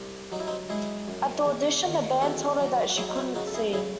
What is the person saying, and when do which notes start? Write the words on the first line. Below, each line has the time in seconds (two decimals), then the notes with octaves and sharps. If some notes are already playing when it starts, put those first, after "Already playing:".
At the audition the band told her that she couldn't sing.
Already playing: C2
0.32 F#3 D#4
0.40 E4
0.47 C4 D#4
0.70 G#3 E4 G#4
1.08 F#2
1.46 E2
1.84 D#3
2.22 E2 F#4 A4
2.60 F#3
2.90 F#4
2.97 F#3 E4 G#4
3.09 D#4
3.16 C#4 E4
3.35 C#3 D#4 F#4
3.47 A4
3.54 E4 G#4
3.73 C#3 E4 G#4